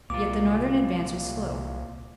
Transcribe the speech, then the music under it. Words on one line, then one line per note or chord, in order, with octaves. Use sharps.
Yet the Northern advance was slow.
C2 A#2 F4 D6